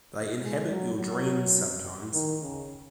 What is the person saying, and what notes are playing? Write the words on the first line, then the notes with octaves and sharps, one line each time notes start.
They inhabit your dreams sometimes.
G#3
F#3
F#3
D#3
C#3